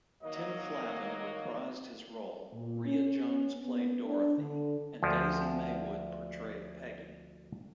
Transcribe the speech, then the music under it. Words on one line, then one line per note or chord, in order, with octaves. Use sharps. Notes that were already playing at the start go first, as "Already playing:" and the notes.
Tim Flavin reprised his role, Ria Jones played Dorothy and Daisy Maywood portrayed Peggy.
D#3 F#3 A#3 D#5
A#2
C#4
B3
D4
D3
D2 F3